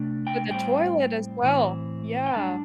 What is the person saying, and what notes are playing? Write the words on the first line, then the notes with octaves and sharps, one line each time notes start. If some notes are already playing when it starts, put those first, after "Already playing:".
With the toilet as well. Yeah.
Already playing: C3 A3 D4
G5
A2 G3 C4 G5
A2 E3 C4
G5
A2 G3 D4 A5